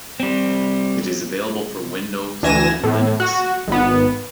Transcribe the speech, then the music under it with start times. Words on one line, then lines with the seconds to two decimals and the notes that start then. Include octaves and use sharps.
It is available for Windows, and Linux.
0.20 G3 C4
2.43 D2 E3 G#5 A#6 E7
2.83 A2
3.20 F#4
3.68 G#1 B3